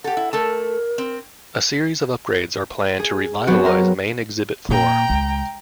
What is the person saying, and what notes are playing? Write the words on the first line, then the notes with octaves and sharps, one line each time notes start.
A series of upgrades are planned to revitalize main exhibit floor.
G4 A4 F#5
E4
A3 A4 A#4 A5
C4
G#4
F#3 B3 C4 F#4
A#4
A#2 G5 A#5
C#2